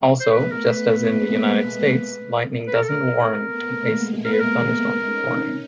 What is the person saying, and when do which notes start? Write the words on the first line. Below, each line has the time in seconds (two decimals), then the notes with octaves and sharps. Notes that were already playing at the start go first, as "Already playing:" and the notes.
Also, just as in the United States, lightning doesn't warrant a severe thunderstorm warning.
0.20 C5
0.30 A3 B3 B4
0.51 A#4
0.70 B4
0.90 B4
1.09 G#3 A#3
2.67 B4
2.74 A#4
2.82 A4
2.89 A#4
3.46 A3 B3
3.85 G#3 A#3
4.25 A3 B3 A#4
4.32 B4
4.40 A#4
5.03 C#4 D#4